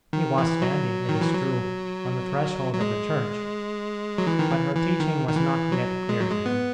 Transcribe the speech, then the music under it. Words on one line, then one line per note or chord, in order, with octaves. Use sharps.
He was standing, it is true, on the threshold of the Church, but her teaching was not yet clear to him.
D#3
E3
F#3
D#3
E3
F#3
F#3
G#3
F#3
E3
D#3
E3
E3
D#3
D#3
E3
F#3
G#3
F#3
G#3
B3